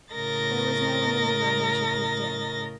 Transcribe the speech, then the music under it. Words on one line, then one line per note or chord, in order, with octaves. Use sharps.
There was no one in the room when she peeped in.
A2 C#3 A#4 D#5 A6 A#6